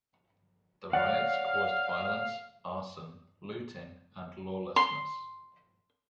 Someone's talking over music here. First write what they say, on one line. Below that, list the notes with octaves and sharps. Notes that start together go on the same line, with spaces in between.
The riots caused violence, arson, looting and lawlessness.
C#5 D5 F5 F#5
C6